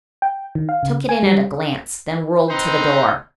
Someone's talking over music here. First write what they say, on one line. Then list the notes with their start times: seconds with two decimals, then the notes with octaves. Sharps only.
He took it in at a glance; then whirled to the door.
0.22 G5
0.55 D#3
0.69 F5
0.83 C#3
1.09 G#5
1.23 G3
2.49 C4 D#4 B4 C5